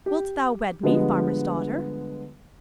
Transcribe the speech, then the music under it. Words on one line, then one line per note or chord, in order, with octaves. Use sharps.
'Wilt thou wed me, farmer's daughter?'
G4
D3 F3 G3 G#3 B3